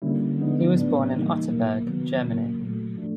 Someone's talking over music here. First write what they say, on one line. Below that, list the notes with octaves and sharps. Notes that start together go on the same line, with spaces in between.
He was born in Otterberg, Germany.
D3 G3 A#3 C#4 E4
D3 F3 G#3 B3 D#4
A2 F#3 B3 D4
C#3 E3 G3 A#3 D#4
B2 F#3 A#3
C3 D#3 F#3 B3
C#3 F#3 A#3
A#2 F#3 A3
A2 F3 A3 D4